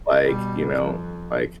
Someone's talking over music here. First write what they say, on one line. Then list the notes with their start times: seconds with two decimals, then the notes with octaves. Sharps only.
like, you know, like,
0.24 B2 G3
0.72 F2